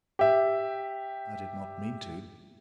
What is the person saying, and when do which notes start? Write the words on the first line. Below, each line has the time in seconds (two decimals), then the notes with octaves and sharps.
I did not mean to.
0.19 G4 E5